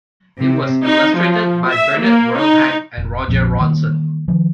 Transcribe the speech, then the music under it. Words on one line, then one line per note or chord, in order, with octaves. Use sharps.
It was illustrated by Bernard Verlhac and Roger Ronsin.
C3
D#4
F3
E5
A#3
D#4
F1
A#1 F2 A#2
D#3 E3 G3 A#3
D#3 F3